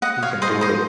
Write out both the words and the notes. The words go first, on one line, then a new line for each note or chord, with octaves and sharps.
You can do it.
D#5 F#5
C#5 F5
C5 D#5
C5 D#5